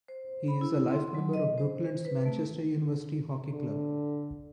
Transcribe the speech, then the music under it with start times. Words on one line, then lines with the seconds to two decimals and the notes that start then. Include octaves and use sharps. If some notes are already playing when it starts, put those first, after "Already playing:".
He is a life member of Brooklands Manchester University Hockey Club.
0.08 C5
0.48 B5
0.61 E4
0.91 C6
1.15 F#3
1.34 D#5
1.58 C5
2.05 B4
2.25 A3
3.52 D3